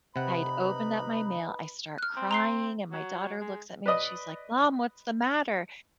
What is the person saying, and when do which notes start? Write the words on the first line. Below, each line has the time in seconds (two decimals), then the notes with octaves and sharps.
I'd opened up my mail, I start crying, and my daughter looks at me, and she's like, "Mom, what's the matter?"
0.16 C3 D#4 B4 F#5 B5
1.98 F6 F#6
2.17 C4
2.31 A#5 C6 C7
2.92 F#3
3.41 G#3
3.86 B4 D5 D#5 D#6